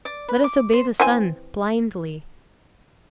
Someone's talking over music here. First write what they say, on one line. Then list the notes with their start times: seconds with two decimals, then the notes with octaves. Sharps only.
Let us obey the sun blindly.
0.05 D5
0.28 B4
0.44 D6
0.73 C5
1.00 E3 C4 G#5